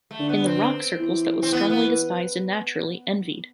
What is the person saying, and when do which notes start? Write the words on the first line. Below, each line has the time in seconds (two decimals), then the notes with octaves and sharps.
In the "rock circles" that was strongly despised and naturally, envied.
0.11 A3
0.20 D3
0.29 B3
0.46 C4
0.99 E3
1.43 C4
1.52 B3
1.70 B3